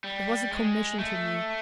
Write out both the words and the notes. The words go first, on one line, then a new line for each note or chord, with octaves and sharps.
It was a commission to me!
G3
G#3
A3